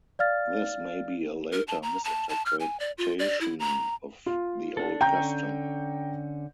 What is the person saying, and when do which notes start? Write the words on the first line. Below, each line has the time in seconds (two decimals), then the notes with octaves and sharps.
This may be a later misinterpretation of the old custom.
0.19 D5 F5 F6 A6
1.53 A#4
1.68 A5
1.83 A#5
2.04 A5
2.29 A5
2.46 F6
2.60 G#5
2.80 D5
2.98 F4
3.19 D5
3.41 E4
3.60 A#5
4.26 F4
4.77 D4 A4
5.01 D3 C#4 G5 A#5 C#6 G6